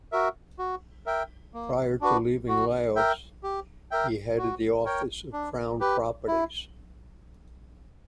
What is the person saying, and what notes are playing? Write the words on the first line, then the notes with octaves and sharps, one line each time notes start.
Prior to leaving Laos he headed the Office of Crown Properties.
F#4 A#4 E5
F#4
A#4 E5 G5
A#3
D4 F#4 B4
F#4
A#4 E5 G5
G4
A#4 E5 G5
F#4
A#4 C#5 G5
D4
G4 B4
E4